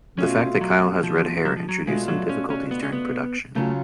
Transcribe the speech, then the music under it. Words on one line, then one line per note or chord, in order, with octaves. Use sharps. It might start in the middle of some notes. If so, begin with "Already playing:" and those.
The fact that Kyle has red hair introduced some difficulties during production.
B2 A3 C#4 F4
F#3
F3
F#3
F3
F#3
B2 G#3 A3 D4 F4
F#3
C#4
C#4
B3
C#4
B3
C#3 F#3 A3 C#4 F4